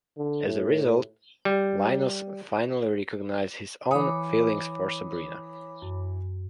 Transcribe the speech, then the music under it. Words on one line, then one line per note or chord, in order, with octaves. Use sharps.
As a result, Linus finally recognizes his own feelings for Sabrina.
D3
A2
G3
E3 C#5 B5 D6 D#6
F#2